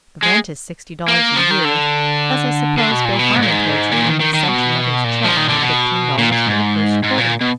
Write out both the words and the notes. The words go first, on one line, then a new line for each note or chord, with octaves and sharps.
The rent is sixty dollars a year, as I suppose Bill Harmon told you when he sent you mother's check for fifteen dollars for the first quarter.
G#3
A#3
F3
D#3
D3
D3
B2
A#2
B2
G#2
A#2
G#2
A#2
D#3
D#3
D#3
D3
B2
A#2
F3
D#3
D3
B2
A#2
A#2
G#2
G#2
A#2
B2